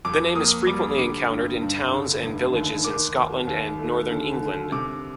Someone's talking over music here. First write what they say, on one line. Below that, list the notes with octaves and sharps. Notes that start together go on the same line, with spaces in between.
The name is frequently encountered in towns and villages in Scotland and Northern England.
F2 D6
A#3 D#6
G3 D6
D3 D6
G2
G2
D3
F1
D#2
D#3 D6
D#2
D#2
A3
D3
D3
C3 D6